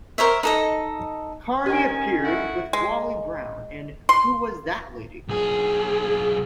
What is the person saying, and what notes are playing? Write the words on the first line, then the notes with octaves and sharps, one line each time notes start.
Carney appeared with Wally Brown in Who Was That Lady?
A#4 C5 C#5 E5
D#4 A4 D#5
D#3 C#4 G4 G#5
A3 E4 F#4
G#3
C6
B1 G#4